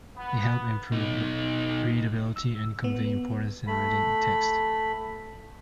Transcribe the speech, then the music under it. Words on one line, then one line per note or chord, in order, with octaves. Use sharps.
They help improve readability and convey importance in written text.
B3
B2 D#4
E6
B3
A3 B5